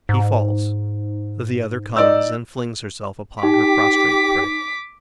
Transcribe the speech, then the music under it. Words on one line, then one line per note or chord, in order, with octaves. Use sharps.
He falls; the other comes and flings herself upon her prostrate prey.
G#2
D#4 D5 E6
D#4 G4 D6 B6